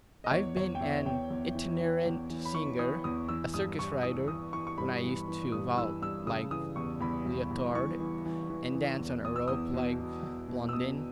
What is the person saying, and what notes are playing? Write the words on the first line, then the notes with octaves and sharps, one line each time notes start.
I've been an itinerant singer, a circus-rider, when I used to vault like Leotard, and dance on a rope like Blondin.
D#5
E2 C#5
E2 C#5
G5
E2 E5
E2 G5
E2
E3
E3
E2
E3
B5
E3 C#6
E3 D#6
E2 D#6
E3 E6
G2 D#6
G2 C#6
E3 D#6
E3 D#6
E3 C#6
C#6
G2 B5
E3
E3
G2 D#6
E3 E6
G2 E6
C#3 D#6
E3 D#6
E2 C#6
E2 B5
E2
E2
E3 C#6
E3
E3
E3
E3
E2
E2 D#6
E6
E2 D#6
B2
B2
E2
B2
E6
B2 D#6